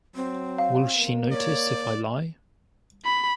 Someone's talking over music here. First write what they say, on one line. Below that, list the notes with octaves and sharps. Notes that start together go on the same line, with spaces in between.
Will she notice if I lie?
F#3 C4
F5
A#3
C#5 D5
B5